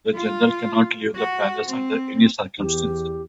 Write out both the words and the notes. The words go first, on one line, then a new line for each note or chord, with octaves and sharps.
The general cannot leave the palace under any circumstances.
F4
F#4
C4
E2 G4